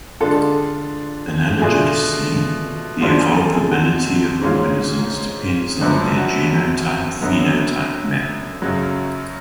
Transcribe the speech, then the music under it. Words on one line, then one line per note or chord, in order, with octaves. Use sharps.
Analogously, the evolvability of organisms depends on their genotype-phenotype map.
D3 G#3 D4 F4 A4
B2 A3 D4 F4 G#4
F#2 F3 G#3 D4 F4 F#4
G#4
A4
G#4
F#4
G#2 G#3 C#4 F4
F#2 F3 B3 D4
F#4
F#2 D3 F#3 B3
F#2 C#3 F#3